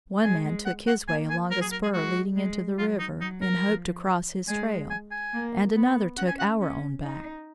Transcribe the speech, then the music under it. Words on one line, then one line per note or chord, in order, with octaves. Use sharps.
One man took his way along a spur leading into the river, in hope to cross his trail, and another took our own back.
G#3 G#5
F#5
F#5
A#3 G#5
G#5
F#3 A#4
G#4
A#4
G#4
G#3 F#4
G#3
F#3 F4
D#4
F#3 D#4
A#4
F3
G#3 G#5
G#5
G#5
A#3
B3
C#4 F#5
G#5
F#5
C#4
D#4